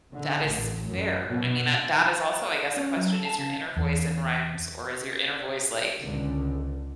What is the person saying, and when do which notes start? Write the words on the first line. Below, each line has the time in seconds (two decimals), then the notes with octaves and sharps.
That is fair. I mean, uh, that is also, I guess, a question, is your inner voice in rhymes or is your inner voice, like,
0.14 D3
0.47 A1
0.87 F#2
1.29 B2
2.77 C#4
2.97 F#3
3.13 A4
3.25 A5
3.38 C#3
3.77 E2
6.00 C#2 D3